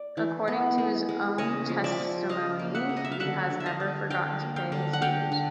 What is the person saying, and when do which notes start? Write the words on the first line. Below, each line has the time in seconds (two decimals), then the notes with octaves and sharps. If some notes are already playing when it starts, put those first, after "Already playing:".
According to his own testimony, he has never forgotten to pay his dues.
Already playing: D5
0.17 E3
0.48 B3
0.78 G#3
1.09 G#3
1.38 C#3 C#5 D#5
1.69 F3
1.84 D5 E5
2.00 F3
2.29 C#3 D#5 F5
2.59 A#3
2.75 E5 F#5
2.89 C#3
2.97 D#5
3.05 E5
3.12 F5
3.20 D3 E5 F#5
3.50 D3
3.60 E5
3.66 D#5 F5
3.80 D3
4.10 D3 F5 G5
4.41 A#3
4.56 F5 G5
4.72 D3
4.93 F#5
5.02 D3 F5 G5
5.32 D3